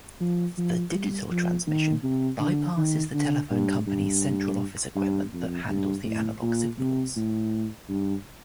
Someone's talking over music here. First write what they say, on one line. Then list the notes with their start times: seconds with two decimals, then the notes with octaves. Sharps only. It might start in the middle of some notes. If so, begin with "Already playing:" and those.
The digital transmission bypasses the telephone company's central office equipment that handles analogue signals.
0.21 F3
0.58 F3
0.95 G3
1.31 F3
1.67 D#3
2.03 C3
2.40 D3
2.77 D#3
3.14 D3
3.51 G2
3.87 G2
4.96 G2
5.33 F2
5.69 G2
6.06 A2
6.42 A#2
6.79 C3
7.16 A2
7.89 G2